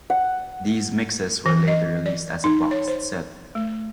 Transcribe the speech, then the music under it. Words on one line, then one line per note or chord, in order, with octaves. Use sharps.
These mixes were later released as a boxed set.
F#5
E3
D#5
D5
D#4
C#5
C5
A3